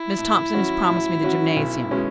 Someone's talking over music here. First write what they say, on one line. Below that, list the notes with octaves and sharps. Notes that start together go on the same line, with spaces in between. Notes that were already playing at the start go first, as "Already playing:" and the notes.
Miss Thompson has promised me the gymnasium.
Already playing: E4
A2
F#3 C#4 F#4
A2
F#3 C#4 F#4
B1
B2 G#3 C#4